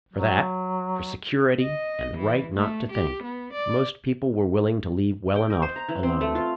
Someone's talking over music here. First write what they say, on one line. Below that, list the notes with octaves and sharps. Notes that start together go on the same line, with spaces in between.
For that, for security and the right not to think, most people were willing to leave well enough alone.
F#3
D#5
E3
A3
G4
B3
D5
G5
D#5
C5
A#5
E3
C4
A3
F4